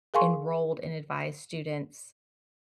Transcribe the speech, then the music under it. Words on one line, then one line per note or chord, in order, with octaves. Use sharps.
enrolled and advised students
G#4 A#4 F5 G#5 C6 C#6